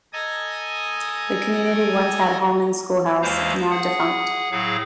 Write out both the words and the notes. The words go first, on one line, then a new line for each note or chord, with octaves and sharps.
The community once had Holman Schoolhouse, now defunct.
A4 D#5 G#5 A#5 D#6
D#2 E3 G#3 C5 F5 A#5
G#4 F#5
A2 F#3 G#4 F5